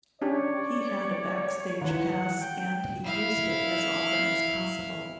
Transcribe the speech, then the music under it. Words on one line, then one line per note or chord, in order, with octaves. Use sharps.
He had a backstage pass and he used it as often as possible.
C#4 D4 G4 C#5 D5
D#3 E3 F#5
G5
E4 F5